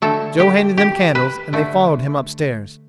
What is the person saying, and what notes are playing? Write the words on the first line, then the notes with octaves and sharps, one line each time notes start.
Joe handed them candles and they followed him upstairs.
D3 A3 A4
G4
G4
B4
D3 A3